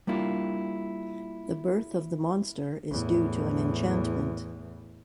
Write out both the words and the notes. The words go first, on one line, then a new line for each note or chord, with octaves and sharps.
The birth of the monster is due to an enchantment.
G3 A#3 D4 E4 F4
E2 A2